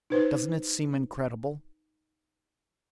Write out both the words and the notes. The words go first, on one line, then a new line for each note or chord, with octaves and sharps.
Doesn't it seem incredible!
D#4 B4 C5